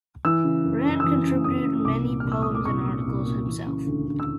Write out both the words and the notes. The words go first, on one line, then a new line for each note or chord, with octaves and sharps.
Brand contributed many poems and articles himself.
E3 E6
C#3
F#2
F#2
E6
E3 D#6
C#3
F#2 D#6
F#2
C2 D6
A#2
C2 F6
E6
A#2 D#6
D6
C2 C#6
A#2
C2
A#2
E3
C#3
D2
D2
E6